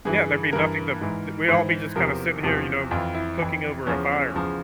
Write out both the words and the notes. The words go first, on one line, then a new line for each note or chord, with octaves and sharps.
Yeah, there'd be nothing to d we all be just kinda sitting here, you know, cooking over a fire.
G2 E3 G#4
G2 E3 A#4
G#2 E3
G#2 E3 C5
E2 C3 F3 A#4
E2 C3 F3
F2 E3 F4
E4
F2 E3
E2 C#3 F3 C#4
E2 C#3 F3